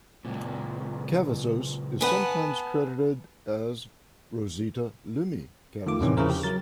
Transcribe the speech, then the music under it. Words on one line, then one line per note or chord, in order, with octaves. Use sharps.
Cavazos is sometimes credited as "Rosita Lumi Cavazos".
C#2 A#2
B3 B4 F#5 G#5 A5
D#3 A3 F4 D6
E2 A2 C3 D#3 E3 C#4
C#3 F3 E4 A#4 C5
G4
F#3 A#4 A6